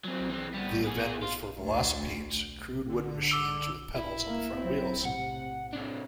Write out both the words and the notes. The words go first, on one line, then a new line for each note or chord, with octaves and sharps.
The event was for velocipedes, crude wooden machines with pedals on the front wheels.
F#3 C4
E3 C4
G3 B3
B3 G#4
F4
D2
D3
D6 E6 G7
E4
A#3
F#3 C4
A2 C3 F#5
C3 D4